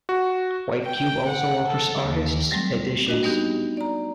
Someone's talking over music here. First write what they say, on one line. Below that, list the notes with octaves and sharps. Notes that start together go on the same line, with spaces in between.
White Cube also offers artists' editions.
F#4
G5
F#5
A4
D#2
F#3 G3 A3 C4
D4 F#4 D#5
G3 B3 D#4 G4
D5 A#5